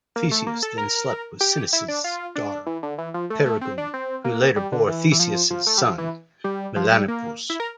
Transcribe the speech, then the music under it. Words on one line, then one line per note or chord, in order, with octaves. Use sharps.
Theseus then slept with Sinis's daughter, Perigune, who later bore Theseus's son, Melanippus.
A#3
A3
A#3
A4
A#4
G4
E4
D4
F4
D4
E3
D3
E3
F3
A3
A3
C4
D4
C4
A#3
G3
D3
E3
E3
F3
F3
A3
G3
F3
E3
G3
F3
G3
A#3
E4
A#4